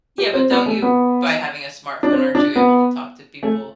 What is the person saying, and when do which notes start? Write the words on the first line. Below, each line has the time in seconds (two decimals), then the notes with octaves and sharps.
Yeah, but don't you by having a smartphone, aren't you able to talk to people
0.18 G4
0.34 C4
0.51 B3
0.66 A3
0.82 B3
2.03 D4
2.13 C4
2.35 D4
2.56 B3
3.43 A3